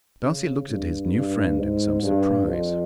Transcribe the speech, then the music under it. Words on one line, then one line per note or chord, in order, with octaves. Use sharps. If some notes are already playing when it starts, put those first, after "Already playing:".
Darcy looked at his new friend in some surprise.
C#3
G2
G2
G#2
G2
F2